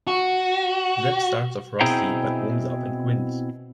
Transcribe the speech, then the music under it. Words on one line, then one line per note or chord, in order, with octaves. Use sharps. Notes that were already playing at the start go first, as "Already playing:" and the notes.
Zeb starts off rusty, but warms up and wins.
F#4
B2 C4 E4 G#4 G5 A#5